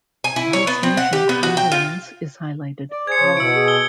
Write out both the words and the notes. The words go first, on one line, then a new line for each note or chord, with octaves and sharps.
The host nation, Netherlands, is highlighted.
G#5
E4
C#5
B3
C4
F#5
G4
B3
F#4
G5
F4
D5
G#4 C5 G#6 C#7
C#3 F3 C#5
B2 E4 E6 D7
G#4
E6 G7